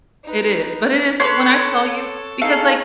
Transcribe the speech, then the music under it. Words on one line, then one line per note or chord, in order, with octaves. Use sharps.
it is. But it is when I tell you because, like,
D#4 B4
A4 B4 C#5 B5 C6
D#4 G#4 A4 F5